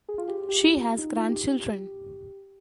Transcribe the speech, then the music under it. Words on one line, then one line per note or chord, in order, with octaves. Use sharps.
She has grandchildren.
G#4
F4
G4
G4
F4
D#4
F4
G4